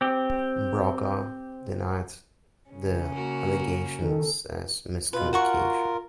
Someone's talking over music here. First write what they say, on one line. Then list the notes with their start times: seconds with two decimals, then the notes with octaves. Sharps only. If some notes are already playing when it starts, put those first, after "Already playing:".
Brokaw denied the allegations as miscommunication.
0.01 C4 G4
2.69 C#3 C#4
3.13 A#3 F#4 A#4
4.02 D#3 A4
5.13 B2 F4 B4
5.33 F4 F#4 A#4 F#5 C#6